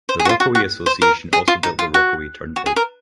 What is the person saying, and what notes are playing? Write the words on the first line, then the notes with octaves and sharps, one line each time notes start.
The Rockaway Association also built the Rockaway Turnpike.
C5
G#4
F#4
F4
F#4
F#4
C5
A#4
G#4
F4
D#4
F4
F#4
F#4
G#4
A#4